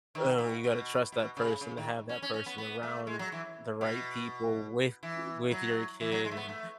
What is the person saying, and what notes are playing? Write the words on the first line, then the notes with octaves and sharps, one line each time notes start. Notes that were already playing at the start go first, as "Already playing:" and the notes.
uh, you gotta trust that person to have that person around the right people with, with your kid, and
D#3
B2
B2
B2
C#3
C#3
D#3
C#4
C#4
C#4
B3
B3
A3
G#3
F#3
E3
B2
E3
F#3
E3
F#3
G#3
A3
B3
A3